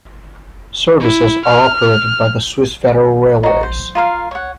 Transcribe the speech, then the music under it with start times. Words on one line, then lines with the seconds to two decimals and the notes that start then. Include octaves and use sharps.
Services are operated by the Swiss Federal Railways.
1.00 E4
1.45 F6
3.43 D#4 F#4
3.63 C5
3.95 F4 A#4 F5
4.31 C#5 F#5